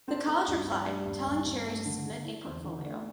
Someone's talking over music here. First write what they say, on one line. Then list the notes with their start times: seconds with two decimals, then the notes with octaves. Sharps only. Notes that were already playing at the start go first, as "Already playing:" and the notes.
The college replied, telling Cherry to submit a portfolio.
0.08 C4 A4
0.17 D4
0.27 C4 A4
0.47 G2 D4
0.67 G2
0.86 G3 D4
1.06 G2
1.27 G2
1.46 G2
1.66 A3
1.85 D3
2.06 D3
2.25 E4
2.45 E2 C4
2.64 D3
2.85 A3 D4